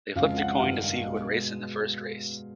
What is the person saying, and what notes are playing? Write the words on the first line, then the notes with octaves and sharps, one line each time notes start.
They flipped a coin to see who would race in the first race.
F2 C#3 F3 G#3 F5
F#5
F#5
G2 D#3 G3 F5
B2 G#3